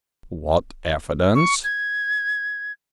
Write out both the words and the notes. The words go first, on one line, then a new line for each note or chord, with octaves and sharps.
"What evidence?"
C#6
G#6